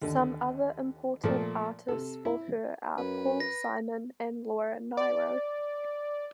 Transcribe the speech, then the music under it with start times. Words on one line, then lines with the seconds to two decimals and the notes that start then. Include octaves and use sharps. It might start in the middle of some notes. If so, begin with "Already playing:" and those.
Some other important artists for her are Paul Simon and Laura Nyro.
0.02 D#2 D3
1.24 A#2 F3 A3 A#3
1.88 C3 A4
2.25 E4
2.98 F#2 B4
3.40 A#6
4.97 D5